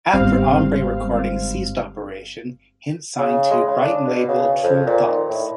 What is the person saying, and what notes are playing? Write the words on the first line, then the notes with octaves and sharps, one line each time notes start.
After Hombre Recordings ceased operation, Hint signed to Brighton label Tru Thoughts.
G1 G#2 G3 C4 F5
C#3
G#3
C#3
D4
B2
C#3
F2
A#2
D#3
A2